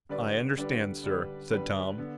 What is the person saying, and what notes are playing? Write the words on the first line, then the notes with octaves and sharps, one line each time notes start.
"I understand, sir," said Tom.
D3 G3 D4 B4 D5
D3 G3 D4 B4 D5
D3 G3 D4 B4 D5
D3 G3 D4 B4 D5
D3 B3